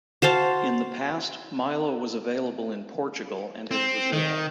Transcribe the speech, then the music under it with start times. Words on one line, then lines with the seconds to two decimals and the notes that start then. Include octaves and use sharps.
In the past Milo was available in Portugal and in Brazil.
0.22 F#4 C5 F5 A5
3.71 C4
4.13 D#3